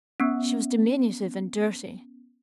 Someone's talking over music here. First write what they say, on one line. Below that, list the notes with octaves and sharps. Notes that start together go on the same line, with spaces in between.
She was diminutive and dirty.
B3 C#4